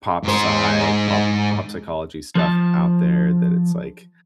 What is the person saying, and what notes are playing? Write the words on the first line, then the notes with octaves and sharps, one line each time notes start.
pop psy pop pop psychology stuff out there that it's like
G#2 C5
F3 A5